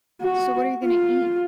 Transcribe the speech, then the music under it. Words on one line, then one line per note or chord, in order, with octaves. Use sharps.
So what are you gonna eat?
F#4
F4